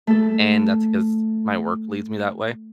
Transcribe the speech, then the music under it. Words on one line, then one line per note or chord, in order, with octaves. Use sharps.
and that's because my work leaves me that way.
A3 A4